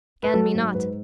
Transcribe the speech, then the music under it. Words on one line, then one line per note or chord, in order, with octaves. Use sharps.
Scan me not!
B4
F#3 A4
G#2
G#2 B4